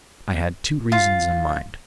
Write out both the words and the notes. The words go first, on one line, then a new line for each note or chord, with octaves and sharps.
I had two reasons in mind.
F4